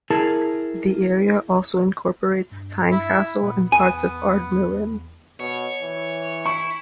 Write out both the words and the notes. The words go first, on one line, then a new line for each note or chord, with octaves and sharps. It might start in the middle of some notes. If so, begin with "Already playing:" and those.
The area also incorporates Tynecastle and parts of Ardmillan.
E4 G#4 A#4 A5
G2
E4
A#2 B3
E2 B3 G#5
B2 C#5
E3
E4 C#6